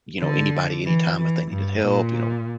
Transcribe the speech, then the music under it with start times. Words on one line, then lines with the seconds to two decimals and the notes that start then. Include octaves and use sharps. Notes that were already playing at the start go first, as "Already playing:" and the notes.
you know, anybody anytime if they needed help, you know
0.20 D3
0.86 E3
1.19 E3
1.51 G2
1.83 A#2